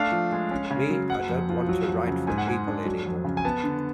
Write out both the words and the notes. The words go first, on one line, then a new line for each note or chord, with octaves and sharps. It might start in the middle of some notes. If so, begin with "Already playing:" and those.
Me, I don't want to write for people anymore.
Already playing: A3 D4 F5
F3
G#3
C#4
C#3
F#3
F#1 F#5
F2
F3
F#3
F2
C#3
G#2 G#5
F#5
G#3 G#5
D4
F#3
F2
C#3
G#5
B3 A5
D3